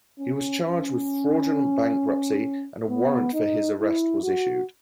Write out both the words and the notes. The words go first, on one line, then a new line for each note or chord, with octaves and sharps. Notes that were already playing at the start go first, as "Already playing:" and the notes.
He was charged with fraudulent bankruptcy and a warrant for his arrest was issued.
C#4
C#4
B3
D#4
E4
F#4